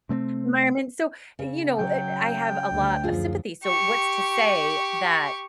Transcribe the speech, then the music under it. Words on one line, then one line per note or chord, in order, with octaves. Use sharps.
environment. So, you know, eh, I have a lot of sympathy. So, what's to say, that
C3 A3 B3 C4
C#3
F#3 G5
D2
F#2 F3 F4 G#4
G4 C#6